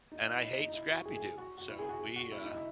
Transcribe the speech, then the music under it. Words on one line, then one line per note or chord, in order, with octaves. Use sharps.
and I hate Scrappy Doo, so we, uh
D#4
E4
D#4
D#4
D#4
E4
F#4
G#4
G#4
G#4
F#4
F#4
E4
G#4
F#4
G#4
F#4
E4
D#4
E4